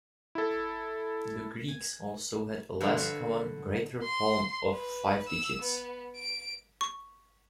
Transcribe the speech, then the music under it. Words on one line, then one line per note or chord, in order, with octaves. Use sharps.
The Greeks also had a less common "greater palm" of five digits.
E4 A4
G#5
G2 D3 F3 B4 E5 C6
F#4 E5 F5
C6
B4
E6
B3
D7
C#6